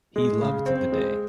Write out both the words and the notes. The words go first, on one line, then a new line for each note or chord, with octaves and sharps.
He loved the day.
G#3
C#3
C4
G#3